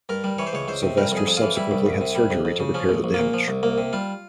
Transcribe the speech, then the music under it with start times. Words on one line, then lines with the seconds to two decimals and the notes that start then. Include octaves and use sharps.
Silvestre subsequently had surgery to repair the damage.
0.09 G2 A#4
0.24 G3
0.38 E3 C#5
0.47 C5
0.53 C#2 C#5
0.68 C#2 C5
0.83 C3
0.97 G3 A#4
1.12 F2
1.17 G#4
1.27 F2
1.37 E3 F4
1.57 G3 E4
1.71 C2
1.86 C2
2.01 C3
2.15 G3
2.30 F2
2.45 F2
2.60 C#3
2.74 F3 C#4
2.89 A#1
3.04 A#1
3.14 A#3
3.19 A#2
3.33 F3
3.48 C2
3.63 C2 A#3
3.78 C3
3.93 G3 F4